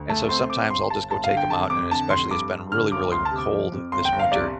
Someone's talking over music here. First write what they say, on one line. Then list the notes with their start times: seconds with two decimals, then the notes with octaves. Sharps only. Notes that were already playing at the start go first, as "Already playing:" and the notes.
and, so, sometimes I'll just go take 'em out and especially it's been really, really w cold this winter,
Already playing: D2
0.09 A3 A5
0.29 C4 C6
0.50 C4 D6
0.69 G1 C6
0.90 G1 A5
1.10 G1 A5
1.24 F5
1.30 D3
1.37 G5
1.50 F1 A5
1.70 F2 D6
1.91 D3 A5
2.10 F1 C6
2.31 G2 D6
2.52 G2
2.71 D3 F6
2.92 G1 D6
3.12 D2 C6
3.25 A5
3.31 C3
3.38 D6
3.52 F3
3.72 F2
3.92 G1 C6
4.05 G5
4.12 G1
4.19 F5
4.32 C2 D5